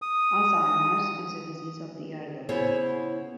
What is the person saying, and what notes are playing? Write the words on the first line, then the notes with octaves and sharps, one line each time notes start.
Alzheimer's is a disease of the elderly.
D#6
C#3 B3 E4 G#4 C5 C#5